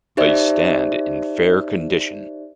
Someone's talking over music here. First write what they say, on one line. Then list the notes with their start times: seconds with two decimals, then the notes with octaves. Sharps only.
They stand in fair condition.
0.17 D#4 G4 C5 D5 E5